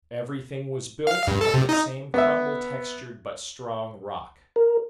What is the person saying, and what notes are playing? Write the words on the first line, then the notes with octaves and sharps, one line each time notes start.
Everything was built of the same crumble-textured but strong rock.
F5
G2
A4
C3
D#4
B3 E5
A#4